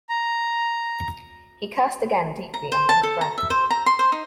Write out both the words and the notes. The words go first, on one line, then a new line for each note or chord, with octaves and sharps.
He cursed again deeply under his breath.
A#5
A#5
C5
A5
A4
A#5
E5
C5
A#5
C6
C5
D#4